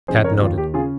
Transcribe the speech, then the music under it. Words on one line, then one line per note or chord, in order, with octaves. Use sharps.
Tad nodded.
F2 C#3 G#4 C5
A#4 C#5
D#2 F4
G4
C#3 F4 G#4